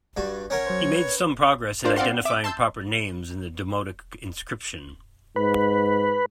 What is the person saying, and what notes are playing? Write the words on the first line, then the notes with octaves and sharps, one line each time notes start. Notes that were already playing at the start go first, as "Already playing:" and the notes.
He made some progress in identifying proper names in the demotic inscription.
G2 F#4
C#4 A#4 C#5 F#5
F#3 C5
B4
D4 F4 A#4 C5 D5
C4 D5 F5 F#5 C6
E5 D6
A5 C6 E6 G6
G#2 B4